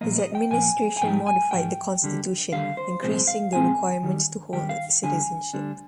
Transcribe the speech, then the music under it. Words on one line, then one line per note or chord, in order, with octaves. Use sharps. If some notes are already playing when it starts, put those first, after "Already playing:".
His administration modified the constitution, increasing the requirements to hold citizenship.
A#2 F3 A#3 D#5
D#5
G5
A#2 F3 A#3 G#5
G#5
G#2 F3 G#3 D#4 G5
G#5
G#2 F3 G5
D#2 D3 G3
D#2 D3 G3 F5
C5
C2 A#2 F3 G#3 C4 C5
F5
C2 A#2 F3 G#3 C4 G#5
D#2 D#3 G3
D#2 D#3 G3 G5
F5
D2 D3 G3 D4 G#5
D2 D3 G3 D4